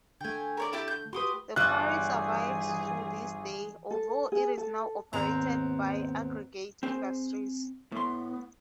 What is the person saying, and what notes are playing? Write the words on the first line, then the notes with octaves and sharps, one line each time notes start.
The quarry survives to this day, although it is now operated by Aggregate Industries.
D3 A3 G5 G#5
A#4 C#5 D5
E4 G4 A5
G6
F#4 G4 B4 C6 D6 D#6
G1 E3 G3 F4 G#4 F#6
A4
G#4
A4
D#2 G#2 B3 C4 A#5
C4 G#4 C5
A2 B3 C6